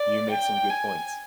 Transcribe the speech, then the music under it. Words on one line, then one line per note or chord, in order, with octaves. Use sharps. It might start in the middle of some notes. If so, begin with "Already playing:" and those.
You make some good points.
Already playing: D5
G5
G#5